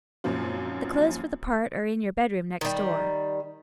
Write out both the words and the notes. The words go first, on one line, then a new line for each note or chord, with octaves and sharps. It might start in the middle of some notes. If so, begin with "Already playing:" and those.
The clothes for the part are in your bedroom next door.
G#1 F#2 A#2 F3 F4
D#3 G3